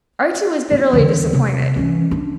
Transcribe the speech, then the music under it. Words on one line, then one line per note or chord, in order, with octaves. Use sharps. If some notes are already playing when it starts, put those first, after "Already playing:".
Archie was bitterly disappointed.
B3
E2 D3
C3
E3 C#4
D4